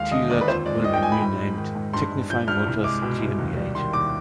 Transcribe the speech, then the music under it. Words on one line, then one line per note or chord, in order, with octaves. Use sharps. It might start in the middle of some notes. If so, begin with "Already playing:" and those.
Thielert will be renamed "Technify Motors GmbH".
Already playing: D#2 G#3 F5
D3 D#5
D#2 D5
B4
F2 C5
G#3 D5
D#3 D#5
G5
F2 G#5
B5
G#2
G#3
D#3
G#2
G2 C6
G#3
F3 G6
G2 F6
C2
G#3 D6
B2
C2
D#2
G3
D#3 C6
D#2 D6